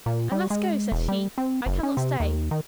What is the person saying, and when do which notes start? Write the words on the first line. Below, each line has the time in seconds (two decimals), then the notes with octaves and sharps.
'I must go,' said he, 'I cannot stay.
0.06 A#2
0.32 G3
0.50 G#3
0.92 E1
1.08 G3
1.38 C4
1.66 F#1
1.83 C#4
1.97 C3
2.20 D#2
2.51 D#3